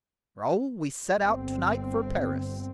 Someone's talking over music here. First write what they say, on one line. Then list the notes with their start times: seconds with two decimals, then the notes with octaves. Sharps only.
"Raoul, we set out to-night for Paris."
1.18 G1 C4